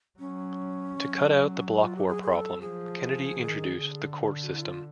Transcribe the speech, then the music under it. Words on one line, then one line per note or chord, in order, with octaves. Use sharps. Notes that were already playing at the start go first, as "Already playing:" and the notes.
To cut out the block war problem, Kennedy introduced the court system.
F#3 C#4
F#3
F4
G4
G#4
G#4
A4
F3 G#4
D#3
D3
F#4
E4
F4